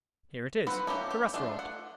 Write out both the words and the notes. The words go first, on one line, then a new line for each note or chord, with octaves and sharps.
Here it is--the restaurant.
C4 F4 B4 F#5
A3 A#3 C#4 G4
G4
A3 D4 F4
F#5